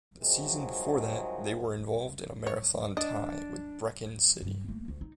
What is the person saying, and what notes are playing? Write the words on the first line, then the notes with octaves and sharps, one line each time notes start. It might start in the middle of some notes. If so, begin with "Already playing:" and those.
The season before that, they were involved in a marathon tie with Brechin City.
G#2 C3 D#3 F3 F#3 G#3
C#5
D4 D#5
G2 F#3
A3 A#3
D2
D#4